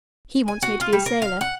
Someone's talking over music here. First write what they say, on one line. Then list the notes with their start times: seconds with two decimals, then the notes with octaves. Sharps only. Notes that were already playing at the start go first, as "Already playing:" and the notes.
"He wants me to be a sailor."
0.48 G#5
0.62 F#4
0.81 F4
0.93 G3
1.06 A#4
1.22 F5
1.41 F#5